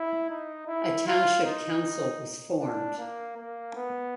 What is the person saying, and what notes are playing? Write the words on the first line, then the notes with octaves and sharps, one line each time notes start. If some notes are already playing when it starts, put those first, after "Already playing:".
A township council was formed.
Already playing: E4
D#4
E4
F4
D#4
D4
A#3
A#3
B3